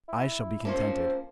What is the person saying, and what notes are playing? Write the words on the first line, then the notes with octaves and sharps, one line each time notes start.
I shall be contented.
E4
F3 A#3 C#4 C5